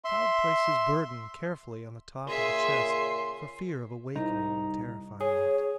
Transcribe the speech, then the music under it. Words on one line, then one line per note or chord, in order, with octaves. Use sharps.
The child placed his burden carefully on the top of the chest, for fear of awakening and terrifying it.
E5 C6
A#2 C#3 G#4 E5 C6
C2 D#4 A#5
G#4 C#5